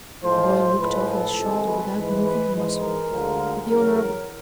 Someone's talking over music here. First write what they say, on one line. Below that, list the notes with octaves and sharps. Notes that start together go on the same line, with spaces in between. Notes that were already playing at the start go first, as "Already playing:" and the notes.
The boy looked over his shoulder without moving a muscle, but the Hon.
A2 F3 G#3 C5
A2 F3 G#3 B4
A4
F2 C3 D#3 G#3
B4
G#2 E3 G#3
B4
G#2 E3 G#3
A#4
D2 D3 F3 G#3
E2 C#3 F#3 A#4
A#4